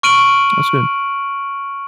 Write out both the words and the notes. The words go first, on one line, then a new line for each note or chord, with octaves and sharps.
That's good.
C#6 F6 D7 D#7 F#7